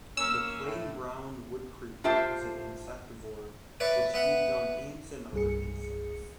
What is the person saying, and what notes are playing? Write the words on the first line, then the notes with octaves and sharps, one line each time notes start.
The plain-brown woodcreeper is an insectivore which feeds on ants and other insects.
A#3 C#4 E6
A2
F4 G4 C5 E5 A5
B4 C#5 D5 E5
B3 E5 F#5
C2 G2 G#4 C#7